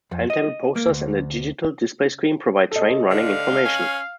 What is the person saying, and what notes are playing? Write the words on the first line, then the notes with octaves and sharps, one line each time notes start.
Timetable posters and a digital display screen provide train running information.
F2
D#5
A#3
D2
A4 D#5
D3 F5
C#4